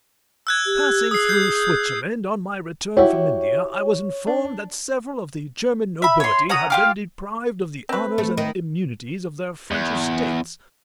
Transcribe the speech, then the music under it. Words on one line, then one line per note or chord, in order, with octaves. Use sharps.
Passing through Switzerland on my return from India, I was informed that several of the German nobility had been deprived of the honours and immunities of their French estates.
E6 F#6 G#6
G4
G#4 D#6 C7
G6 C7
E4 F#4 G4 C#5
D4
E5 B5
C#5 C6
C#4 F#5 A#5 D#6
F4 G4 F5
C4 B4
A3
D#3
E2